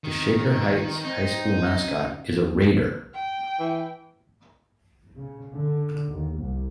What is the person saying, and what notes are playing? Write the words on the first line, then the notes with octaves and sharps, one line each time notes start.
The Shaker Heights High School mascot is a "Raider".
D#3
C4
C4 D#4
C#4
G5
E3
C#3
D3
D#2
C2